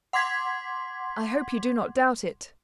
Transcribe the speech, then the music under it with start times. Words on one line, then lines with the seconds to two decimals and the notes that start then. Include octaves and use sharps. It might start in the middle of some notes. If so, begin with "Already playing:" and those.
"I hope you do not doubt it."
0.13 F#5 C6 D6 G#6 B6